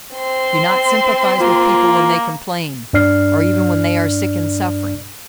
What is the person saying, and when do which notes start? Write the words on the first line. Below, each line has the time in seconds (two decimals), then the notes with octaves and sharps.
Do not sympathize with people when they complain, or even when they are sick and suffering.
0.15 C4 C6
1.40 A#3 F4
2.93 G2 D4 D5 F6 C7